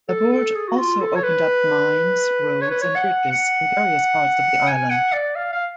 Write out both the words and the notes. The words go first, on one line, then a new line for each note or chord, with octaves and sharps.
Laborde also opened up mines, roads, and bridges in various parts of the island.
A4
A4
G#4
F#4
F4
A4
C#5
B4
C#5
B4
C#5
F#5
F#5
G#5
F#5
D5
F5
F5